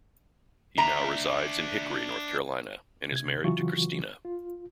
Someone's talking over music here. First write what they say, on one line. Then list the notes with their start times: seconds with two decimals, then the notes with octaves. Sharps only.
He now resides in Hickory, North Carolina, and is married to Christina.
0.78 D4 E5 A#5
3.12 C3 G#6
3.44 C#3 E3 F#3 F4 F#4 C#6
4.25 F4